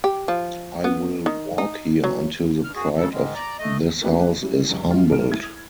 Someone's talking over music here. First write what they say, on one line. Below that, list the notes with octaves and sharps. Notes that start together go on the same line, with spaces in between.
I will walk here until the pride of this house is humbled.
G4
F3
B3
D#3
D#4
F#3
G2 F6
F#2 F#4 G#4
C#3 F#3 A4
G#2 D#3 G#3
D5 A#5
A3 D#5
A3 A#3 C#4 F#4 G4 B4
F#3 G3 C#4 E4
F1 C2 C#3
F4
C#2 G2 G#4 F6 D7
E4 G#6